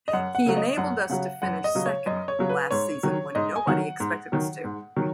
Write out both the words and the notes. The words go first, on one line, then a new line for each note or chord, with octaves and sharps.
He enabled us to finish second last season when nobody expected us to.
D#5
F#2 F#5
F#5
C#3 F#3
D#5
F#2 F#5
C#3 F#3 F#5
F#2 F#5
D#5
C#3 F#3
C#5
F#2 D#5
C#5
C#3 F#3
B4
G#2 C#5
D#3 F#3
G#2 D#5
G#5
D#3 F#3 F#5
G#2
D#3 F#3
G#2
D#3 F#3